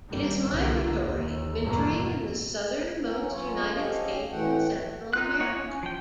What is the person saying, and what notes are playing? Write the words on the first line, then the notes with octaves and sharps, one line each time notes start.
It is migratory, wintering in the southernmost United States and Central America.
G#1 G3 A#3
C2 D3 E3 A#3
D#2 D#3
G#1 E2 G2 B2 A3 A#3
B3 C#4 A#4
F#3 C#4 F4 C#5
G#2 C#4 G4 A4 D#5 F5
A2 E3 A3 F#5 G5
D#4 F4 F#6
A#3 D#4 C#5 F#5
C#4
F3 G5